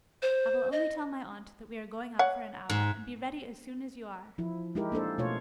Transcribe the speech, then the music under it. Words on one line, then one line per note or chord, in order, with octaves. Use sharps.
I will only tell my aunt that we are going out for an hour, and be ready as soon as you are.'
C5
D#5
C#5 F#5
G#2
F3 E4
G#3 D#4 E4 G4 A#4
A#3 D4 A4 C5
B2 A3 F4 C#5